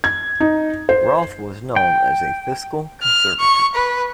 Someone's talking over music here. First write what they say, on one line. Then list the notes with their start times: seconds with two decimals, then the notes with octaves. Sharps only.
Roth was known as a fiscal conservative.
0.04 G#6
0.40 D#4
0.89 C5
1.76 G5
3.03 F6
3.40 C#6
3.75 B4